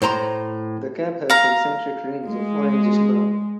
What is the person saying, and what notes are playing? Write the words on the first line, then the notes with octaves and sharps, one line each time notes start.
The cap has concentric rings of orangish brown.
A2 C5 A#5 C6
F5 A#5
G#3